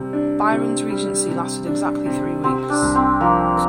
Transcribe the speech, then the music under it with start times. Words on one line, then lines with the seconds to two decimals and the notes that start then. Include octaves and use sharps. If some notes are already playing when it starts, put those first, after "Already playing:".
Biron's regency lasted exactly three weeks.
Already playing: C3 G3
0.13 D4
0.52 C3
0.90 G3
1.29 C3
1.66 D4
2.05 C3
2.44 C3 C4
2.70 D4
2.82 C2
2.95 C4
3.20 F3 A#3